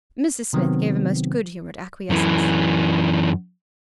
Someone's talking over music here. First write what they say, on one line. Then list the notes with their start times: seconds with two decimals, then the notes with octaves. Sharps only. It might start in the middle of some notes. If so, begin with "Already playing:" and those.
Mrs Smith gave a most good-humoured acquiescence.
0.53 C3 D#3 F#3 B3 C4
2.10 F#2 E3